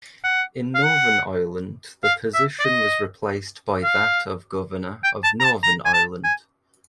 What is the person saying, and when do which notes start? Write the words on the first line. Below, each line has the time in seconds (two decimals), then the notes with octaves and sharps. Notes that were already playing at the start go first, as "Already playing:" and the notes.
In Northern Ireland the position was replaced by that of Governor of Northern Ireland.
0.24 F#5
0.75 F5
0.84 F#5
2.04 F5
2.34 E5
2.60 D5
2.64 D#5
3.84 F5
5.04 G5
5.24 A5
5.40 A#5
5.44 A5
5.63 A#5
5.85 G#5
5.94 A5
6.24 G#5